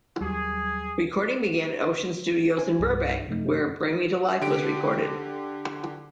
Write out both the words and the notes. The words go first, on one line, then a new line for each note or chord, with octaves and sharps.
Recording began at Ocean Studios in Burbank, where "Bring Me to Life" was recorded.
D#2 F#3 G3 G#4
C5 G#5
C2 G2
F#2 C3 F3 A3 D#4
D3 G4 D7